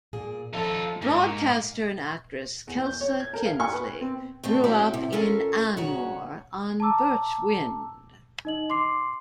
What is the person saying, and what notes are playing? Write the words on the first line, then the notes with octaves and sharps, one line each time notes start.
Broadcaster and actress Kelsa Kinsly grew up in Anmore on Birch Wynd.
A#2 A#3 G#4
F3 D#4 F4 A4
G#2 A#3 D#4
E2
G6
C#5
G#6
A#4
F5
C#6
B4
C4
G2 A3 C4
C4 C#4 E4 F#4 G4
C3
C#4 F4 A4 A#4
G2 C#3 F#4 C#5 F#5 A#5
A5 A#5 D6 E6
D#4 D#5 F#7
C6 D6 C7